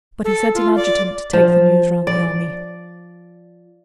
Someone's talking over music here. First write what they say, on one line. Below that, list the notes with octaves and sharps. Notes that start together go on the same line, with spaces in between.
But he sent an adjutant to take the news round the army.
A4
F4
D5
F3
D5